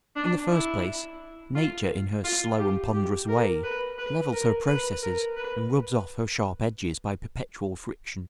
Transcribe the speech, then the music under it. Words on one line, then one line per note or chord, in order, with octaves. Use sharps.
In the first place nature in her slow and ponderous way levels her processes and rubs off her sharp edges by perpetual friction.
D4
E4
F4
F4
G4
G4
A#4
B4
B4
A#4
B4
A#4
B4